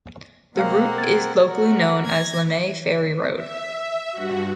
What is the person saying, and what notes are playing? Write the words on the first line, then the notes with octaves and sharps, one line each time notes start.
The route is locally known as Lemay Ferry Road.
B2 G#3 A#3 C4 A#4 F5 F#5
G#6 A6
F#4 A#4
G#6 A#6
E5
G2 F#4